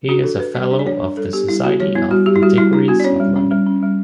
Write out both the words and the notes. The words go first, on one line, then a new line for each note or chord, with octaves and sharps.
He is a fellow of the Society of Antiquaries of London.
D4 F#4
E3 A4
E3 B4
G3 D5
D4
D5
D4 C#5
D4
G3 A4
B3 G4
G3 E4
B3 F#4
G3 C#5
B3 E4
G3 F#4
G3 G4
E4
G3 F#4
G3 E4
D4 E4
B3 F#4
D5
C#4 C#5
G3
C#4
G3
C#4
G3